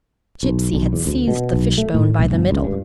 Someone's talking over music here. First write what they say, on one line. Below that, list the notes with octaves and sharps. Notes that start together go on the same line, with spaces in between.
Gipsy had seized the fishbone by the middle.
B1
B1
E2
D2
B2
B1
A3
A2
B1
G1
C#2
G2